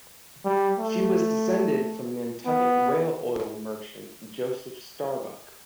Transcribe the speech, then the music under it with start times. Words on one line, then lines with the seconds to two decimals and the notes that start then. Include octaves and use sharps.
She was descended from Nantucket whale oil merchant Joseph Starbuck.
0.45 G3
0.79 A3
2.46 B3